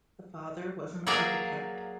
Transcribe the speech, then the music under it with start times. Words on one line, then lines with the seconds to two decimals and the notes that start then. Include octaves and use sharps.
The father was an architect.
1.07 F#3 A#3 G#4 D5 E5 F5